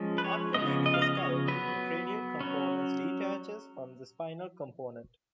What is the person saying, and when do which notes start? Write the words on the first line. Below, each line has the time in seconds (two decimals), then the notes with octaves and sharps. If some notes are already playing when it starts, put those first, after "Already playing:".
After leaving the skull, the cranial component detaches from the spinal component.
Already playing: F3 G#3 C#4
0.18 B4
0.24 C#5
0.54 C#3 F3 B3 D#5
0.86 D#5
0.94 F5
1.02 D#5
1.17 C#5
1.48 F#3 B3 B4
2.40 F#3 C#4